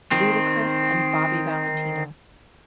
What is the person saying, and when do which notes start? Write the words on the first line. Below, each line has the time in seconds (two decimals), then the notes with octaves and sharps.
Ludacris and Bobby Valentino.
0.11 D#3 C4